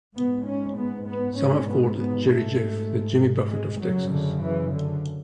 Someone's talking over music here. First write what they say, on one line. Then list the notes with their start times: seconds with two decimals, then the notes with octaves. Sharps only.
Some have called Jerry Jeff the Jimmy Buffett of Texas.
0.16 G#2 B3
0.46 C#4
0.77 B3
1.07 B3
1.37 G#2 C#4
1.68 B3
1.98 B3
2.28 A3
2.59 G#2
3.50 G#3
3.81 F#2 C#3 F#3
4.11 D3
4.42 E3
4.72 D3